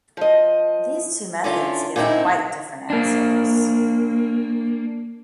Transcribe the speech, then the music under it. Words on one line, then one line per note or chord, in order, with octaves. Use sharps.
These two methods give quite different answers.
F3 D#5
D3 C#4 E4 F4
A#2 D3 D#3 C4 D#4 E4
A#3 D4